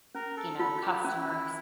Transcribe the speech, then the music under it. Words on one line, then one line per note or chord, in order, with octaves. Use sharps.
you know, customer s
C#4 A#4
A4
F4 A4
G4
C#4 E4